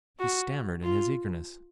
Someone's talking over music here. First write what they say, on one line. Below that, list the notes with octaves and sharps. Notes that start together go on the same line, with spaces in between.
He stammered in his eagerness.
F#4
F4